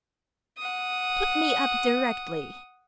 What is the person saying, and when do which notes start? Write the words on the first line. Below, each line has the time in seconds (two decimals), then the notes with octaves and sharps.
"Put me up directly."
0.58 F#5 D#6